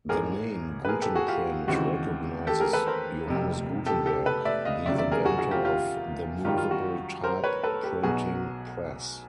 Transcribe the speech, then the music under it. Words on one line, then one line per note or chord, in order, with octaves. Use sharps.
The name Gutenprint recognizes Johannes Gutenberg, the inventor of the movable type printing press.
A1 G#2 E3 G#4 A#4
B4
G#4 A#4
G4 A4
F#4 G#4
F4 G4
D#2 C#3 E3 G#3 C4 F#4
G4 A4
G#4 A#4
A4 B4
A#4 C5
F1 F2 C3
G4 A4
G4 A4
A4 B4
D5 E5
D#5 F5
F1 D#2 C#3 F#3 D5 E5
D5 E5
G#4 A#4
F#4 G#4
F#4 G#4
F4 G4
F4 G4
F#2 D#3 G3 F4 G4
F4
F#4
A#4 C5
B4 C#5
A4 B4
G4 A4
B1 B2 F#3 B3 F#4 G#4